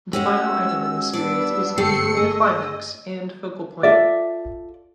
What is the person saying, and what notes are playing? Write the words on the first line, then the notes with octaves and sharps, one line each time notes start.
The final item in the series is usually the climax and focal point.
G#3 C#4 F#4 G4 E6
G3 B3 D4 D5 E6
G1 A3 G4 A4 C7 C#7
G#4 D#5
F4 A4 D5 E5